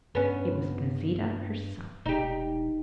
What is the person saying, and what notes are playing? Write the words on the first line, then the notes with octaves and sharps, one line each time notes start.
It was Gauzita herself.
G2 B3 C#4
E1 D#4 G4